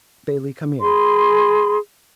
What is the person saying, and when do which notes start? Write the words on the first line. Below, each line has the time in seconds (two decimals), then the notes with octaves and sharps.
Bailey, come here.
0.82 G#4 B5 C6